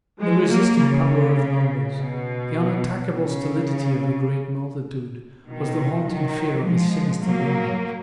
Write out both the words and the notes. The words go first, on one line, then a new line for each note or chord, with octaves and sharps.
The resisting power of numbers, the unattackable stolidity of a great multitude, was the haunting fear of his sinister loneliness.
F3 G#3
F#3 A#3
C#3
B2
C#3
B2 D#3
D#3 F#3
F3 G#3
F#3 A#3